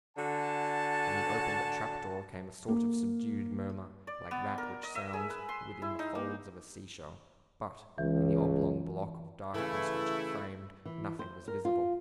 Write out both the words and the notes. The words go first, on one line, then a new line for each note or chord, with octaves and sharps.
From the opened trap-door came a sort of subdued murmur, like that which sounds within the folds of a sea-shell, but, in the oblong block of darkness which it framed, nothing was visible.
D3 F#4 G#5 A5
A#3
D5
B3
A#4
D#5
E5
G#4
B4
C6
E4
D#4
A#3
C#2 E3
C#3 E3 A3 E4
E3
C5
A#4
F4